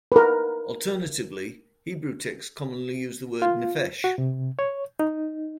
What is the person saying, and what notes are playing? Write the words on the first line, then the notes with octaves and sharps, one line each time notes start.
Alternatively, Hebrew texts commonly use the word "nephesh".
A#4 B4
F4
F#4
C3
C#5
D#4